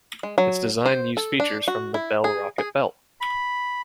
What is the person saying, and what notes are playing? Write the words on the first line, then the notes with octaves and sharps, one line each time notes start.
Its design used features from the Bell Rocket Belt.
G#3
F#3
C5
A4
D4
F#4
E4
G#4
G#4
B5